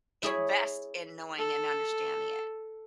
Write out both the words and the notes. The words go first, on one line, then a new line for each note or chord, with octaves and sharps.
invest in knowing and understanding it.
E4 G#4 C#5
A4